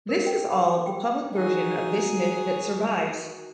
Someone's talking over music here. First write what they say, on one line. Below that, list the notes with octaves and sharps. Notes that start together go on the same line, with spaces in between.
This is all of the public version of this myth that survives.
A#4
G5
B5
D6
G5
D#3 F#4 G#4